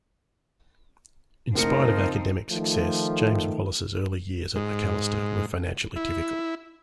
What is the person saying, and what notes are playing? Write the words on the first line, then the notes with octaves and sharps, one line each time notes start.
In spite of academic success, James Wallace's early years at Macalester were financially difficult.
F#1 A2 F3 C4 D#4 A#4 C#7
D#3 F3 A3
G#2
E4